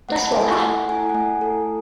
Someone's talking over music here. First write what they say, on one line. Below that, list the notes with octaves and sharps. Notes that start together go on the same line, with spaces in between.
Dust Bowl Ha!
A3 F#5
B5
A5
E4 A4 G#5
A3 F#5
E4 A4 G#5
F#5
A3 G#5
E4 A4